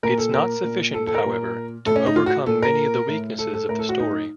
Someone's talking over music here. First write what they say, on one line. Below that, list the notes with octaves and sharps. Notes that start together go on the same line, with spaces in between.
It's not sufficient, however, to overcome many of the weaknesses of the story.
A#2 A#4
A4
A#4
A#2
A4
A4
A#4
A#2
A2 A4
C#4
D#4
F4
F#4
A#2 A4
A#4
A2
A4
A4
A2 A#4
A4
F#4
D#4